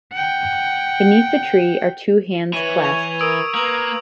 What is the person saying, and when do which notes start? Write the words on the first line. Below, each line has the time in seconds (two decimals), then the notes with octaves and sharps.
Beneath the tree are two hands clasped.
0.12 F#5 G5
2.53 E3 B4 C#5 D#7
2.83 C#6 G#6 F7
3.21 A#4 D#6 E6 D7
3.55 A#3 B4 A#5 D#6 F#7